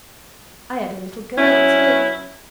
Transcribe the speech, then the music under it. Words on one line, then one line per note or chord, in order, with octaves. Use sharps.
I had a little girl, too.
F#3 C#4 E4